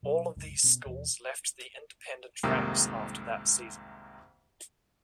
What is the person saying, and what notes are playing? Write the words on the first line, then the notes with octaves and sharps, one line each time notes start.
All of these schools left the independent ranks after that season.
B2 F#3 B3 C4
C2 F#2 C#3 G#3
B2 B3 C#4
D#2 B2 E3
C2 F2 G#2 C3 D#3 A#3